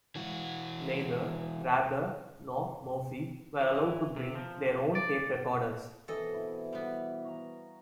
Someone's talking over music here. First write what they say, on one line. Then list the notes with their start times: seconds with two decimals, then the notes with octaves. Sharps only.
Neither Rather nor Murphy were allowed to bring their own tape recorders.
0.16 E3 F#4
3.61 E3
4.16 C3
4.35 F3
4.95 D5
6.08 B2 E3 C4 A4 D#5
6.34 E4
6.73 G3 B3
7.24 F#4 F5 A#5